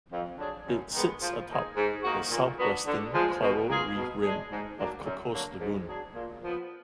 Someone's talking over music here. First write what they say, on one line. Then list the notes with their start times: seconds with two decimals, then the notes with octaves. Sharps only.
It sits atop the southwestern coral reef rim of Cocos Lagoon.
0.11 F2
0.38 D3 F#3 D4 G#4
0.66 F#2
0.93 D#3 G#3 B3
1.20 F3
1.49 A#3 D#4 G#4
1.76 G#2
2.03 D#3 A#3 D#4 F#4
2.30 A#2
2.58 F#3 B3 D4 F#4
2.86 D3
3.13 F3 G#3
3.41 B2
3.68 A#3 F4 G#4
3.96 B2
4.22 G#3 D4 G#4
4.51 G#2
4.78 F#3 A#3 D4
5.05 F#2
5.33 D3 F#3 A#3
5.59 G#2
5.87 F#3 D4 G#4
6.14 A#2
6.43 F3 B3